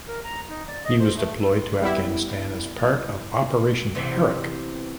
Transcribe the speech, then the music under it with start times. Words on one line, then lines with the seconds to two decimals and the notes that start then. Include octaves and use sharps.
He was deployed to Afghanistan as part of Operation Herrick.
0.08 A#4
0.25 A#5
0.49 D#4
0.68 D5
0.85 D#5
0.99 C5
1.17 A3
1.41 A4
1.54 C6
1.82 G3 B3 E4
3.95 C3 E3 B3